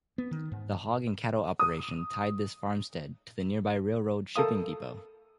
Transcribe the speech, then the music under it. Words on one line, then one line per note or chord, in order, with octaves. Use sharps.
The hog and cattle operation tied this farmstead to the nearby railroad shipping depot.
B3
D#3
G#2
D#6
A4 A#4 F5 D#6